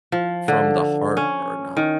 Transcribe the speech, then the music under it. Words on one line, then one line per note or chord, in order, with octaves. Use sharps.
from the heart or not,
F3
D3
C#4
D#3